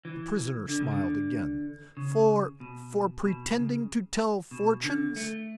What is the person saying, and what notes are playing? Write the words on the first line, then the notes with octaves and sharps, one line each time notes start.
The prisoner smiled again. "For--for pretending to tell fortunes?"
E3
D3
C#3
D3
C#3
B2
B2
C#3
B2
D3
A3